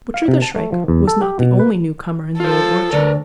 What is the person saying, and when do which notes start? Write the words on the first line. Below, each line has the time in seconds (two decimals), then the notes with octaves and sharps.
Butcher the Shrike was not the only newcomer in the Old Orchard.
0.14 F5
0.28 C3
0.42 A5
0.56 A3
0.72 F3
0.88 E2
1.08 A4
1.22 G4
1.39 B2
1.60 B4
2.40 F4 A4 C5
2.93 D2 A#4 B4 D5